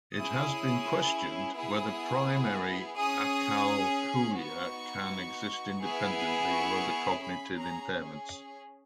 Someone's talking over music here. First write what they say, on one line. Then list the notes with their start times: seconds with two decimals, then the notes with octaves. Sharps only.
It has been questioned whether primary acalculia can exist independently of other cognitive impairments.
0.15 C#4 E4 G#4 D#6
1.56 B3 E4 G#4 D#6
2.97 C#4 G#4 D#6
4.38 B3 D#4 F#4 C#6
5.79 B3 E4 G#4
6.50 C#6
7.20 C#4 G#4 B5
7.56 A#5